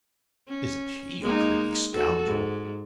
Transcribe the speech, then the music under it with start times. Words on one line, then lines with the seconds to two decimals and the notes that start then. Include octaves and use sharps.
Isn't he a greedy scoundrel?
0.48 C#4
1.22 G#3 A#3 D#4
1.94 F#4 A4
2.25 G#2